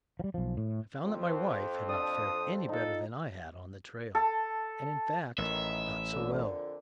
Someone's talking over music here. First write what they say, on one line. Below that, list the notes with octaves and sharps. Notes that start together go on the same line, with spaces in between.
I found that my wife had not fared any better than I had on the trail, and in fact not so well.
F3 G3
B1 F3
A2
F2 C5
D4 D5 D#6
D#4 F4 A4
A4
A1 D#3 E5
F2 A#2 D3